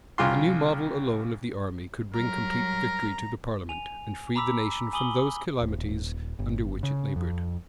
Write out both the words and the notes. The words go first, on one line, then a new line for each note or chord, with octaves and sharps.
A new model alone of the army could bring complete victory to the parliament, and free the nation from those calamities under which it labored.
C2 C#3 F4 C6
F#3 G3 A#4 A#5
G#5 F7
A#5 B5 D6 E6 B6
G#5 B5 D6 D#6 F#7 G7
D#1
G1
C#3
F2